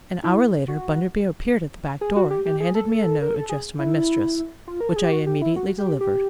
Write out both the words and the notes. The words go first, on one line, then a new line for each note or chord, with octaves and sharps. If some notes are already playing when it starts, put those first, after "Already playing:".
An hour later Bunderby appeared at the back door and handed me a note addressed to my mistress, which I immediately delivered.
E4
F#4
G#4
F#4
G4
G4
G#4
A4
A#4
A4
G#4
E4
F4
A#4
A4
G#4
G4
F#4
G4
E4
F#4
G4
G4